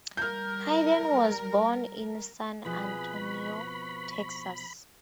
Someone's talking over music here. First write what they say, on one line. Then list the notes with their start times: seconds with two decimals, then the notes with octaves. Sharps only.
Hayden was born in San Antonio, Texas.
0.17 G3 A#4 F6 G6
2.65 B2 F3 C4 G#4 B4 B5
3.21 C#6